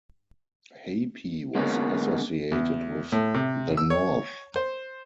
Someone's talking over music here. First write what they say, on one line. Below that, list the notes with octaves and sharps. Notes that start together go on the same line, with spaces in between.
Hapi was associated with the north.
D3 G#3 A#3 B3 C#4
E2
A2
C3
E6
C#5
C5